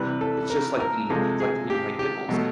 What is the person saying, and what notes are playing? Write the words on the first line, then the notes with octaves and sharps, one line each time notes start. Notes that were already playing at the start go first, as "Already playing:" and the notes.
It's just like eating, it's, like, eating, like, pickles.
Already playing: C3 E3 G3 B4
A4
A#4
A#4
C3 F3 G#3 A4
G#4
G4
G4
B2 F#3 A3